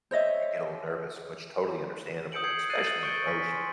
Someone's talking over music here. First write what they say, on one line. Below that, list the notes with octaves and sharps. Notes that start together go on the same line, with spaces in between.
you get a little nervous, which totally understandable, especially in the ocean.
C5 C#5 D#5 E5
D#6 E6 G6 C#7 D7 F#7
E6 G6 G#6 C7 C#7
F#6 G6 A6 C7 D#7 F#7
C#6 G6 A6 C#7 D7 G7
G#5 F6 A#6 B6
C6